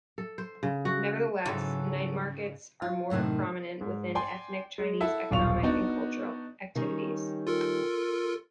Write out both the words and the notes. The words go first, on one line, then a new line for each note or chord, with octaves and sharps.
Nevertheless, night markets are more prominent within ethnic Chinese economic and cultural activities.
A4
C5
C#3
F#4
G#2 C#3 E3 F#3 A4
F4
F#2 A2 C3 D#3
G#2
D5 G5 G#5 C6
G#3
E4 A4 E5 F#5
D#1 B1 F4 D5 C#6 F7
B3 D4 D#4 F#4 D5 F#5
D#3 G3 C#4
F4 A4 A#4